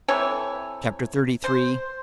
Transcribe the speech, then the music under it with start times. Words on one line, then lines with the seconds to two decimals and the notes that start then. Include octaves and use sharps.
Chapter XXXIII.
0.08 C3 E3 A4 C#5
1.44 C5